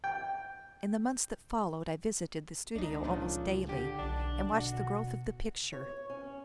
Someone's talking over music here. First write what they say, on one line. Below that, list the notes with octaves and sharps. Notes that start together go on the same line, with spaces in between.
In the months that followed, I visited the studio almost daily, and watched the growth of the picture.
G5
C#2 D4 D#4
A#2 C#3 F3 D4
D3 G4
B1 D4
B2 F#4
C#5
C#4